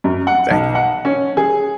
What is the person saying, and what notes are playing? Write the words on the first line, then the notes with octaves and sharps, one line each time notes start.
Thank you.
F#2
F#5
B1
F#5
C#4
G#4